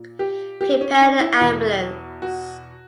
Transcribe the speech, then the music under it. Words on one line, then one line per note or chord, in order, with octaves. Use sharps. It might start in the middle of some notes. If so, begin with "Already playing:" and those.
Prepare an ambulance.
Already playing: A#2
G4
G4
C#4
D4
E4
E2 B2
F#4